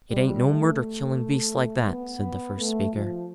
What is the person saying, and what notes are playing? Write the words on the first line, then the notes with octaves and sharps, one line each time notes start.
"It ain't no murder killing beasts like that," said the first speaker.
G3
A3
B3
A3
F3